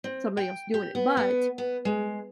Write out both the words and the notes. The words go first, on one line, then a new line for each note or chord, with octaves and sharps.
somebody else doing it, but
C4
G5
G4
B3
B3
B3
G#3